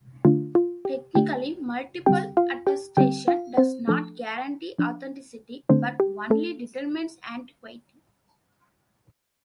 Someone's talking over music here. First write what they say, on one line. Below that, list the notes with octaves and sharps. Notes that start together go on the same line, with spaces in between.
Technically, multiple attestation does not guarantee authenticity, but only determines antiquity.
D3 A3 D4 F4
F4
G4
D3 A3 D4 G4 G5
D3 G3 C4 G4 G5
F4 F5
G4 G5
D3 G3 C4 G4 G5
F4 F5
C4 C5
F3 A3 D4 A4
F3 D4
D3 A3 C4 D4 C5
G4
A3 A4